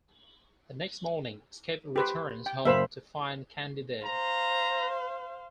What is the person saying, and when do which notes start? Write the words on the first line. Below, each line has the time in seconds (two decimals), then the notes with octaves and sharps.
The next morning, Skip returns home to find Candy there.
1.96 G4 B4 C5
2.46 G5
2.65 F#1 C5 E5 F5 B5 E7
4.05 C5 F5 A#5